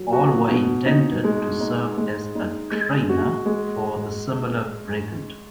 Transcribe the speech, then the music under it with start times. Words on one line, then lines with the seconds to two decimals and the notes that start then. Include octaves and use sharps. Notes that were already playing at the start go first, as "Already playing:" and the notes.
All were intended to serve as a trainer for the similar Brigand.
Already playing: F#3
0.13 F#4
0.50 B2
0.86 D#4
1.24 G#3
1.60 D#4
1.97 G#3
2.35 D#4
2.72 G#3
3.09 F#4
3.46 G#3